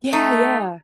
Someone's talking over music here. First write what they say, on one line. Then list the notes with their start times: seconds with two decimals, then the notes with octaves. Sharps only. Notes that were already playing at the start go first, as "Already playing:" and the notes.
Yeah, yeah.
0.13 A3 D#4